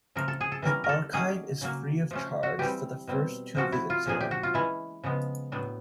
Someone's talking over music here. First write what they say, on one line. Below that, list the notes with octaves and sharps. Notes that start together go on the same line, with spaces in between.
The archive is free of charge for the first two visits here.
C#3 F3 A3 A#4
A4
G#4
A4
E3 G3 A#3 C#4 A#4
A#4
A4
D#3 F#3 A#3 C#4 G#4
C#3 F#3 A#3
F3 A3 C#4
F#4
E3 G3 C4 G4
B2 G3 C4
C3 F3 A3 C#4 F#4
E4
F4
A#2 F3 A#3 D4 G#4
G4
F#4
F4
E3 G#3 C#4 E4
C#3 F3 G#3 B3
A2 F#3 B3 D4